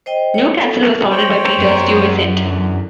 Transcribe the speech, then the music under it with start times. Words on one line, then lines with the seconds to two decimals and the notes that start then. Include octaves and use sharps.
New Castle was founded by Peter Stuyvesant.
0.06 C5 D#5 G5
0.34 C#5
0.61 A4
1.10 C5 C#5 G5
1.58 F#2 A#4
2.42 E2 D3 E3